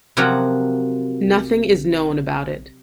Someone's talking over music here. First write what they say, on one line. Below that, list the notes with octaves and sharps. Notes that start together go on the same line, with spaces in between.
Nothing is known about it.
C3 F3 F#3 G4 A#4 F#5